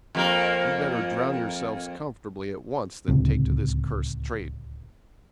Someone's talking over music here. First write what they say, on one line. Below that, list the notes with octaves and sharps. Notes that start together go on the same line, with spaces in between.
You'd better drown yourselves comfortably at once than take to this cursed trade.
F2 A#3 A#4
D1 C#2 C3